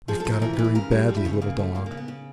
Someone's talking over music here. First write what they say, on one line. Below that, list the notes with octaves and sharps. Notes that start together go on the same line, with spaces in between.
'We've got it very badly, little dog!
F3 G#4
A4
F3
A#4
E3 A#4
B4
E3
B4
C#3 A#4
G3 G#4
F3 F#4
E4
C#3 C#4
A3
C#3 A#3
F3 A3
C#3 A#3
A#3
C#3
B3
C#3